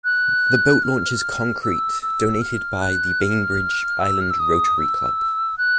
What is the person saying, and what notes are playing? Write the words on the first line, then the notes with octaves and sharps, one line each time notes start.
The boat launch is concrete, donated by the Bainbridge Island Rotary Club.
F#6
F6
E6
E6
F6
F#6
F6
E6
F6
E6
D#6
E6
F#6